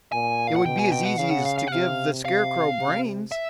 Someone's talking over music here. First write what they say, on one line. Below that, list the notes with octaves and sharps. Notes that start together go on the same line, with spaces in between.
"It would be as easy as to give the Scarecrow brains."
A#2 G#5
F5
F#5
B2 G5
G#5
G5
F#5
C#3 F5
F#5
F5
F5
F#5
C3 F5
C3 F5
C3
E5